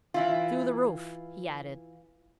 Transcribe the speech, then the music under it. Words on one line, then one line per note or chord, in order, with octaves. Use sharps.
"Through the roof," he added.
E3 E4 F4